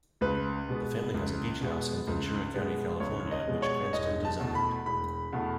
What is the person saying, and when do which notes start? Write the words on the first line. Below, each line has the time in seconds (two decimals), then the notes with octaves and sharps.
The family has a beach house in Ventura County, California, which Cranston designed.
0.21 C#2 B4
0.69 B2 G#3 B3
1.14 C#2
1.61 B2 G#3 B3
2.07 C#2
2.54 B2 G#3 B3
3.00 C#2 C#5
3.31 D#5
3.47 B2 G#3 B3
3.62 C#5
3.93 E1 D#5
4.25 A5
4.39 E2 B2 A3
4.55 B5
4.86 E1 B5
5.33 E2 B2 A3